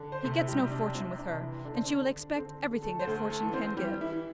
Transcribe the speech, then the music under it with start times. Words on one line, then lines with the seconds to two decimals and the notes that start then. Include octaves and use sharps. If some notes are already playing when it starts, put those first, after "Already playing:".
He gets no fortune with her, and she will expect everything that fortune can give.
Already playing: D3
0.12 C5
0.24 C3 A3 A4
0.39 E4
0.48 G3 G4
0.59 C3
0.71 D4
0.94 C2 C4
1.18 D4
1.30 C3
1.42 E3 E4
1.65 D3 D4
1.75 C4
1.85 D4
2.01 D3
2.36 D3 C4
2.71 D3
2.83 A3 A4
2.99 C5
3.07 D2 A3 A4
3.30 A3 A4
3.43 E3
3.53 C4 C5
3.77 E3 G3 G4
4.00 E3 E4
4.12 E3